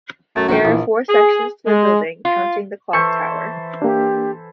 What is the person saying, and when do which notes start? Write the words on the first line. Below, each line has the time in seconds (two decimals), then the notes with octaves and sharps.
There are four sections to the building, counting the clock tower.
0.36 F#2 A3
0.49 A#1 D#3 F#4 G5
0.65 A#1 E3
1.09 G#4
1.67 G#3
2.25 F4
2.93 E3 A4 C5 C#6
3.82 A#3 D4 G4